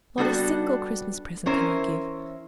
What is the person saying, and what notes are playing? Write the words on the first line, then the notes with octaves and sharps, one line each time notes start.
Not a single Christmas present can I give.
G3 B3 D4 F#4 A4
E3 C#4 E4 A#4 C5